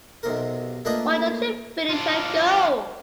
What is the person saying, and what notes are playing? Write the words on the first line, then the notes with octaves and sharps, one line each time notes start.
Why don't you finish and go?
B1 C3 A#4
A3 A#3 D4 F4 B4 D#5
D4 F4